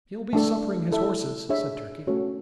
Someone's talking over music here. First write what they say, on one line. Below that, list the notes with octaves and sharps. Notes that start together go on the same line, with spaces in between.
"He'll be suppering his horses," said Turkey.
A3 D4 A4
E4 A4 E5
D4 G#4 C#5 E5
A3 C#4 F#4 A4 C#5